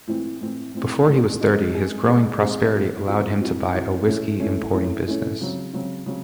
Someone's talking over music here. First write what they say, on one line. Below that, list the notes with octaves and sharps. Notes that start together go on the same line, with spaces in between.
Before he was thirty, his growing prosperity allowed him to buy a whiskey-importing business.
A2 E3 C4
A2 E3 C4
A2 E3 C4
A2 E3 C4
G#3 C4 D#4 G#4
G#3 C4 D#4 G#4
G#3 C4 D#4 G#4
G#3 C4 D#4 G#4
E3 C4 F#4
E3 C4 F#4
E3 C4 F#4
E3 C4 F#4
E3 A3 C#4
E3 A3 C#4
E3 A3 C#4
E3 A3 C#4
C#3 F#3 C4 F#4
C#3 F#3 C4 F#4
C#3 F#3 C4 F#4